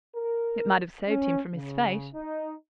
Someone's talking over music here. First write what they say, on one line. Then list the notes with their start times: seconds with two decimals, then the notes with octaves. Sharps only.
"It might have saved him from his fate."
0.16 A#4
1.08 C#4
1.55 C#3
2.14 D#4